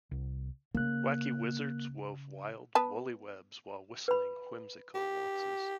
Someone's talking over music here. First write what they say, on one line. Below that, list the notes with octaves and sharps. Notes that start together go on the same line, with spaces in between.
Wacky wizards wove wild, woolly webs while whistling whimsical waltzes.
C2
C#3 A#3 F#6
B3 B4 A5
B4 B5
G4